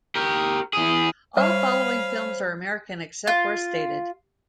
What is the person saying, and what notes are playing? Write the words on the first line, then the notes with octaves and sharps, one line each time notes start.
All following films are American, except where stated.
G4 A#4
E3 G#4
G3 C5 C#5 F5 G#5 B5
F4